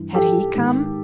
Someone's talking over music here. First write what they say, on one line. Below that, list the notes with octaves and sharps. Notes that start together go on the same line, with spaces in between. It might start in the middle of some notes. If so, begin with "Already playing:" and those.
Had he come?
Already playing: G2 E3
G4 A4
G#2 D#3